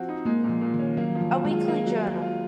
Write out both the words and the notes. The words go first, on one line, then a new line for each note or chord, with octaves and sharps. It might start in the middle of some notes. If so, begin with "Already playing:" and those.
A Weekly Journal.
Already playing: F3 C4 F#4
D#4
G#3 A#3
A#2
F3
A#2
D#3
C#4
F#3 A#3
F3
F#3
F3
G#3
F4
A#3
F#3
F#3
F4